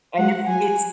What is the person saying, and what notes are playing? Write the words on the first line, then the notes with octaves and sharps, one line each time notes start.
and if it's
G#3 F#5
F#3 G#5